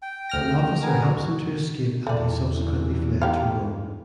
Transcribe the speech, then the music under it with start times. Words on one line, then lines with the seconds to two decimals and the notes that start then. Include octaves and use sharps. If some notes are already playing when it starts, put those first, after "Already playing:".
An officer helps him to escape and he subsequently fled to Rome.
0.02 G5
0.29 D2 F6 A#6
0.82 B3 A#4 G#5
1.03 F#4
2.07 E2 E3 A3 D5
3.22 D#4 G4 F5